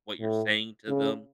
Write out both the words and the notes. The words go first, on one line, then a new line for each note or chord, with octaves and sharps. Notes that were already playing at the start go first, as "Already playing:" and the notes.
what you're saying to them.
A2
C#3